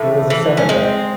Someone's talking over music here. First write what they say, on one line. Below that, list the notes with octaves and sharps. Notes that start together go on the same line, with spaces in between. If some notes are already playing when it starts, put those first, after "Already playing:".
He was a centre back.
Already playing: A2 E3 A3
E3
C#4
G#3 C4